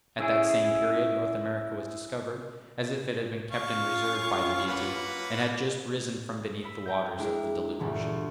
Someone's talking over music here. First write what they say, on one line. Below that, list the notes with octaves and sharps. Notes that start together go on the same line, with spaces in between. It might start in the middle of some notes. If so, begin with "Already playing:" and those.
At that same period North America was discovered, as if it had been kept in reserve by the Deity, and had just risen from beneath the waters of the deluge.
C#4 E4 G#4
C#4 F4 F5 C#6
A#3 B4 F#5
B5 E6
G5 A#5 G6
G#3 D4 E4 A#4
G1 D2 A#2 D3 E3